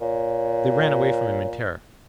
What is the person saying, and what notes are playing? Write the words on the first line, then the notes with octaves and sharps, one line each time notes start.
They ran away from him in terror.
A#2 C#5